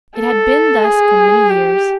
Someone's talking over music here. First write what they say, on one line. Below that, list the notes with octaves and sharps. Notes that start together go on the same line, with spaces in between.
It had been thus for many years.
A4
G#4
G4